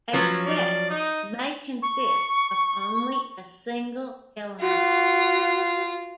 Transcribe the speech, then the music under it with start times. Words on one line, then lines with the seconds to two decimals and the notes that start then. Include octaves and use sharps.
A set may consist of only a single element.
0.13 F3 F#3 C#4 B4
0.46 D5
0.90 D#4
1.82 C#6
4.61 F4 F#4